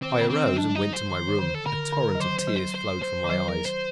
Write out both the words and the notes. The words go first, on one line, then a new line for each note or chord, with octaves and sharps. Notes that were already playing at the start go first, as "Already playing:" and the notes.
I arose, and went to my room; a torrent of tears flowed from my eyes.
D#3 C4
D3
D#3 C4
G3
F#3 D4
D#4
C5
D#3
D#3
D3
A4
D3 A#4
D3
F#3
D#3 C5
C5
F#3
C5
C5
C5
D#3
F#3 C5
A#4
C5